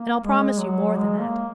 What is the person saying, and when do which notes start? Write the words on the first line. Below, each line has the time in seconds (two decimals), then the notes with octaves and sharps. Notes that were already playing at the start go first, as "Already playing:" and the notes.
And I'll promise you more than that.
Already playing: A#3
0.24 G#3
0.59 F#3
0.97 G#3
1.21 A#3